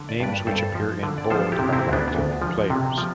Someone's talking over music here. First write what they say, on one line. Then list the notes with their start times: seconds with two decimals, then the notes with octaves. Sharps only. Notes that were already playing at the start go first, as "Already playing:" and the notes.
Names which appear in bold are active players.
Already playing: D3
0.09 D5
0.20 G2 B4 D5
0.47 G2 A4 C5
0.75 F3
1.03 D3
1.18 D5
1.30 F3 A4 C5
1.52 E4 G4
1.59 C3
1.73 C4 E4
1.87 D2
1.93 B3 D4
2.15 D2
2.42 F3
2.70 C3
2.98 F3